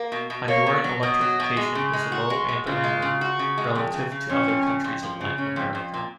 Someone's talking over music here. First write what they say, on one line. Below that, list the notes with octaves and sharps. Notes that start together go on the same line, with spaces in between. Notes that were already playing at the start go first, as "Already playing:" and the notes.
Honduran electrification is low and uneven relative to other countries in Latin America.
Already playing: A#3
B2
B2
A#3 C#5
B2
F#3
B2 D#5
F#3
B2
G#3
C#3
G#3
F#4
G#3
G#3
C#3 F4
G#3
C#3
F#4
C#3
G#3
F2
C#3
C#3
F2 C#4
F2
C#3
F2
F3
C#3
C#3 C#4
F2
F2
A#2